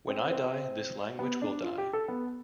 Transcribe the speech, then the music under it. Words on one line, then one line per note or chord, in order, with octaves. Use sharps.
When I die, this language will die.
C4
C4
B3
D4
F4
G4
A4
B3